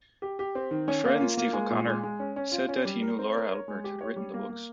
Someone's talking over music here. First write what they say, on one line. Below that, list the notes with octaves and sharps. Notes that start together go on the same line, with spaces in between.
A friend, Steve O'Connor, said that he knew Laura Albert had written the books.
G4
G4
C4
D#3
C#4
A#3
F4
A#3
G#3
A#2
G#3
G#3
C#4
C#4
F4
C#4
G3
A#4
C4
A#4
C#5
G#3
G4
C#5
G3
A#3
A#3